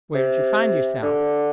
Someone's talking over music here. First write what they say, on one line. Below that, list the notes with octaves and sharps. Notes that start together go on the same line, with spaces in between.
"Where did you find yourself?"
C3
D3